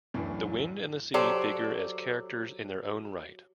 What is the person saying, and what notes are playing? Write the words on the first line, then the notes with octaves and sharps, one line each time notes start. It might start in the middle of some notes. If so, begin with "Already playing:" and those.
The wind and the sea figure as characters in their own right.
D1 F#2 A2 E3 D4
F#3 G4 A4 C5 D5